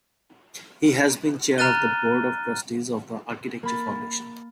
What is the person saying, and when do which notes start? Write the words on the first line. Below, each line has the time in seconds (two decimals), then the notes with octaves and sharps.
He has been chair of the board of Trustees of The Architecture Foundation.
1.58 A#5 F6 F#6 A6 D#7 G7
3.63 A#3 B5 A6